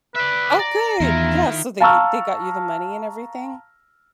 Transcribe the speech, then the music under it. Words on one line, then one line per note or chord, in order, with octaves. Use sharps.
Okay. Yeah, so they they got you the money and everything?
B4 D5 E5
D5 A#5
E2 D#3 E4 F4 A#4
F5 A5 A#5 C#6 E6 F6